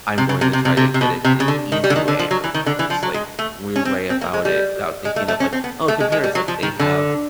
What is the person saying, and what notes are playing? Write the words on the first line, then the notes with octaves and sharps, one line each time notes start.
I'm going to try to get it the easy way, or the most, like, weird way about it without thinking of, like, oh, compare" it's like, they have
C3
C#3
C3
C3
C3
C3
C3
B2
C3
C#3
D3
D#3
G3
D3
D#3
D3
F3
F#3
E3
D#3
D3
E3
F3
F#3
G#3
A3
C#4
C4
C4
A#3
G#3
G3
G#3
A3
A3
C#4
C4
B3
A3
G#3
G#3
G3
F#3
F3
D#3
D3